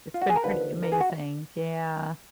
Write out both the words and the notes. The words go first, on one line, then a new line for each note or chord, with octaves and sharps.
It's been pretty amazing, yeah.
F4
F#4
G#4
A#4
D#2 D3 F3 B4
A#4
G#4
F#4